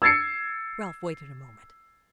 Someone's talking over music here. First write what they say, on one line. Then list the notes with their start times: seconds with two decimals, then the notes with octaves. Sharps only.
Ralph waited a moment.
0.02 E6 G#6 A6 C7 C#7